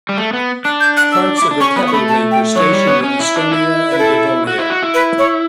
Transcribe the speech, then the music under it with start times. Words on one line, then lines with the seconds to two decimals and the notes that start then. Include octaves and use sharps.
Parts of the cavalry were stationed in Estonia and Livonia.
0.09 G3
0.18 A3
0.33 B3
0.65 D4 F#6
0.80 G6
0.97 F#6
1.12 E6
1.37 D6
1.42 E4
1.51 D4
1.60 C#4 C#6
1.76 B3 B5
1.87 C#6
1.93 A3 B5
2.09 A5
2.31 G5
2.55 F#3 C#5
2.72 G3
2.87 B3
3.04 C#4
3.20 E4
3.36 D4
3.51 E4
3.91 B4
3.99 A4
4.47 F#4
4.59 E4
4.70 F#4
4.82 E4
4.94 B4
5.19 C#5